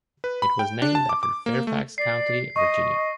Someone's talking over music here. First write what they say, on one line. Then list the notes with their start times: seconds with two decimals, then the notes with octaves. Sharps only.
It was named after Fairfax County, Virginia.
0.24 B4
0.42 B5
0.59 G5
0.82 D4
0.95 A5
1.09 D6
1.23 D6
1.46 A#3
1.67 A3
1.98 D5 C7
2.56 D#5 C#6